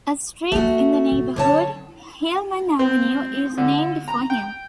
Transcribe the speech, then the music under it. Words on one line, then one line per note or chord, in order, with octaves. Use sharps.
A street in the neighborhood, Hillman Avenue, is named for him.
A3 A#3 C#4 F#4
C3
D3 F#3 C#5 A5
C4
D3
A#5
G5